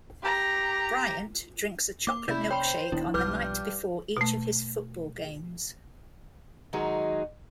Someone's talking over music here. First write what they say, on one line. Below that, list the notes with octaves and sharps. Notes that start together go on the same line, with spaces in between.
Bryant drinks a chocolate milkshake on the night before each of his football games.
G4 A#5
A#3 D6
C3 A#3 C#4 E4 D5 B5 G6
C5 C#5 G5 B5
D#1 D#3 B3 D4 E4
B1 G2 F3 B4 D6 F6 G6
B2 A3
D#3 F#3 G#3 D#4 F#4 G#4